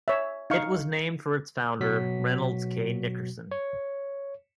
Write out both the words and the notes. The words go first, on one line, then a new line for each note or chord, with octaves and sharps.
It was named for its founder, Reynolds K. Nickerson.
C#5 E5
D#4 F5 C#6
B2 F#3 F#4 B6
C#5